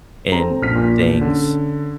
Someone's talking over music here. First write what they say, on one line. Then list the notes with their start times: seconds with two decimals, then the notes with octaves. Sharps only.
in things.
0.32 C4 A4 A#5
0.62 A#1 F6 B6
0.75 A#1 A#2
1.21 D3 C#4